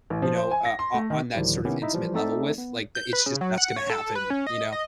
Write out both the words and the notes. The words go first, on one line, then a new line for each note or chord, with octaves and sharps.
you know, uh uh, on that sort of intimate level with, like, that it's just that's gonna happen, you know?
A1
F3
C5
G#5
A#6
C6
A3
D#3
D2 A2 D#3 F3 G3
C3 D#3 B3 C#4 E4 G4
D#4 E4 D#5 E5
E3 F3 G3
A3 C4 D#4 A4 D5 E5
B3
G6
B4
C#3
F#3
F#5
C#5
A4
B4
C#4
D#5
D#5